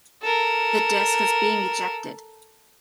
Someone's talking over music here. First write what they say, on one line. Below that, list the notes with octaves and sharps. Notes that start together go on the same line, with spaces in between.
The disk is being ejected.
A4 A#4